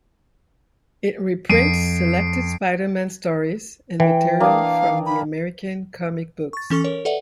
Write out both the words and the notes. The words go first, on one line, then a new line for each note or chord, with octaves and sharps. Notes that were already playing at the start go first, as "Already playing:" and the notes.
It reprints selected Spider-Man stories and material from the American comic books.
F2 C7 D7 D#7
E3 G5
A#3 D4 F5 D#6
B5
C#6 A6
E3 C#4 A4 C#6
A#4 C#5
A4 B4 D5 E5 F#5